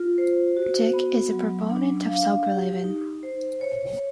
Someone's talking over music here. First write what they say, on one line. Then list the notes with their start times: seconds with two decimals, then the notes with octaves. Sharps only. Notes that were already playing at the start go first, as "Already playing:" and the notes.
Dick is a proponent of sober living.
Already playing: F4
0.18 C5
0.57 F#4
0.93 B3
1.32 F#3
1.70 D4
2.08 F5
2.46 G4
2.84 D#4
3.23 C5
3.61 C#5